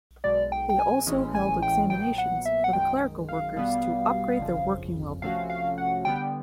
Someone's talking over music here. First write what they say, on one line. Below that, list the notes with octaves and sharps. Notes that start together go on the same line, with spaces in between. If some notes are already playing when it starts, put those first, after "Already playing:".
They also held examinations for the clerical workers to upgrade their working level.
B1 B2 G#3 D5
G5
G5
G#5
A1 A2 E3 G#3 C#4
G#5
G5
A#2 F#3 B3 G5
F#5
E5
F#5
F#2 D#3 G#3 G5
F5
B2 G3 B3
G1 F2 C#3 F3
C3 F3 A3 C#4 F#4 F5
F5
F#5
D3 G3 B3 G5